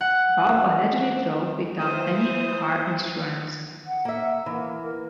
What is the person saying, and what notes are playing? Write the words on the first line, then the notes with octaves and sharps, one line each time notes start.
Bob allegedly drove without any car insurance.
F#5
E3 C5 D#6
F#5
A#3 E5
E3 A#3
A#4